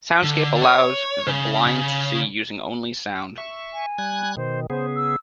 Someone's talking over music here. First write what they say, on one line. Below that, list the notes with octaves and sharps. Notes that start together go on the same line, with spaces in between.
Soundscape allows the blind to see using only sound.
D3
C#5
C#3
C#3
E5 C#6
G#5
G3 F#6 G#6
B2 D#3 C5
C#3 B3 G#4 C5
E6